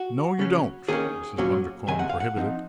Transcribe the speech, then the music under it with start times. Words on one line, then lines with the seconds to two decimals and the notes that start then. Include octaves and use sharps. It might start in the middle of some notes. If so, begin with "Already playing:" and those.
"No, you don't!" Mrs. Bundercombe prohibited.
Already playing: F#4
0.39 C#3 F#3 C#4
0.88 D#3 A#3 C#4 G#4
1.38 A#2 F#3 C#4
1.88 C3 D#3 G#3 G#5
1.99 F#5
2.09 F5
2.20 F#5
2.37 F3 C4 D#4